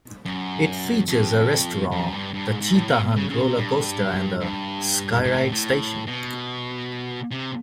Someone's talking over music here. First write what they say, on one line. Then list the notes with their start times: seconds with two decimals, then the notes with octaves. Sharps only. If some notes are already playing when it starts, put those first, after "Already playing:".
It features a restaurant, the Cheetah Hunt roller coaster, and the Skyride station.
0.25 F#2
1.08 F2
1.91 F#2
2.12 G2
2.33 G2
2.47 G#2
2.60 G#2
2.75 A2
2.88 B2
3.16 C#3
3.30 C#3
3.44 C3
3.57 G2
4.41 G2
5.24 G#2
5.37 A2
5.52 A2
6.07 B2
7.31 C3